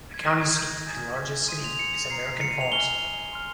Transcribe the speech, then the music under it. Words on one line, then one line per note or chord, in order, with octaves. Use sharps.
The county seat and largest city is American Falls.
G#6
A#5 F6 A#6
G#6
G6
G#5 D#6 G6 G#6
G#6
C6 D#6 G6 D#7
F7
C#7
C#7
A#5 F6 C7
C#7
D#7
F7
G#5 C#6 F6 G7
C6 F6